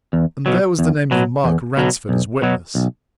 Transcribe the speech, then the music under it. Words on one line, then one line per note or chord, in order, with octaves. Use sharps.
And there was the name of Mark Ransford as witness.
E2
B2 F#3
E2
B2 F#3
E2
B2 F#3
B1
B2 F#3
B1